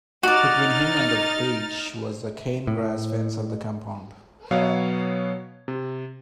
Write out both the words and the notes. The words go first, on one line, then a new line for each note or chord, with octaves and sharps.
Between him and the beach was the cane-grass fence of the compound.
D#4 F#4 D5 F6 A6
A2
B2 F#3 B3 C#5 F5 G#6
C3